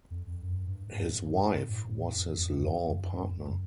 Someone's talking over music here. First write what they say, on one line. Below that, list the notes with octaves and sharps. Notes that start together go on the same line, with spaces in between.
His wife was his law partner.
F2
F2
F#2
G2
G2
G#2
G#2
G2
G#2
G2
A2
G#2
A2
F2
F#2
F2
F#2
F2
F#2
G2
F#2
F2
F#2